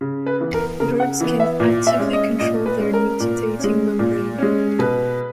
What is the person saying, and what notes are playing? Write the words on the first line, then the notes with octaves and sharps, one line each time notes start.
Birds can actively control their nictitating membrane.
C#3
B4
E3 B3
A#4
C#3 A#4
F#5
E3 B3
E5
A#2
E5
G#3 C#4
D#5
A#2 D#5
B4
G#3 C#4
A#4
A#2
G#3 C#4
A#2
G#3 C#4
B2 B4